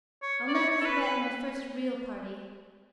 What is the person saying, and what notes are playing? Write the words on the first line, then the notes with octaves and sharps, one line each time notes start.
I'll never forget my first real party.
C#5
D5
C#5
C#5
A4
B4
B4